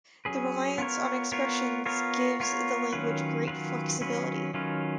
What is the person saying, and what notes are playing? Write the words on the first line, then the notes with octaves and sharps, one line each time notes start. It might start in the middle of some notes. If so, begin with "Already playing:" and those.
The reliance on expressions gives the language great flexibility.
F#3 C#4 G#4 B4
B3 F4 A#4 C#5
B3 F4 A#4 C#5
B3 F4 A#4 C#5
B3 F4 A#4 C#5
D#3 F#3 C#4 F4 B4
D#3 F#3 C#4 F4 B4
D#3 F#3 C#4 F4 B4
D#3 F#3 C#4 F4 B4